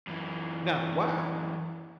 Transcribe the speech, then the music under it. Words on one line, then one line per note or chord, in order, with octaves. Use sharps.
Now, why
F#2 E3